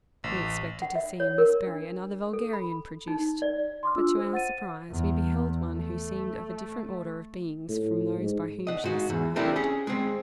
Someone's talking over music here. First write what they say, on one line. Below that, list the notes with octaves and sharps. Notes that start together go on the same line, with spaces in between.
We expected to see in Miss Berry another vulgarian produced, but to our surprise, we beheld one who seemed of a different order of beings from those by whom she was surrounded.
A1
F#5
E5
C#5
A#4
D4
A4
B5
D#4
D5
C6 D6 F6
D4 F4 E6
C5
F#5 A6 D#7
E2
A3
A2
G#2
D#5 F#5
G#2 F#4
E2
A3 C4 D4 E4 G4 A#4
C#4 G#4
G#3 C4